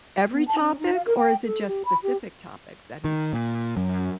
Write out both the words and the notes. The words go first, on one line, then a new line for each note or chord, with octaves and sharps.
every topic, or is it, just, specific topics that he's
B3
A5
C#4
D#4
F5
A#4
G5
A4
G4
B5
G4
D#3
A#2
F#2